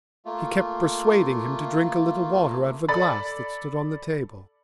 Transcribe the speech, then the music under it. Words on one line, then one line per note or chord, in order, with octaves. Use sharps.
He kept persuading him to drink a little water out of a glass that stood on the table.
A3 A#3 F4
A4 D5 B5 A6